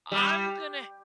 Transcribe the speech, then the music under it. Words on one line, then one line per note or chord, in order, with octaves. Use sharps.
I'm gonna
G3